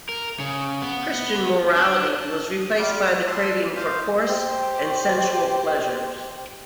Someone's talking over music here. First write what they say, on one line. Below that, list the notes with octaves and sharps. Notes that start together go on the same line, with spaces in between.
Christian morality was replaced by the craving for coarse and sensual pleasures.
A#4
C#3
B3
D4
A5
D#6
G3 F4 D6
E5 A5 C6
C5 F5
G4 C5